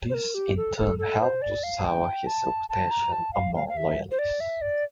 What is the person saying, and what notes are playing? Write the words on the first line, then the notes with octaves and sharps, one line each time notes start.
This in turn helped to sour his reputation among Loyalists.
C5
A#4
G4
A4
A4
A4
C5
D5
F5
G5
A5
A5
A#5
A5
F5
F5
F5
E5
C5
D5
E5
D5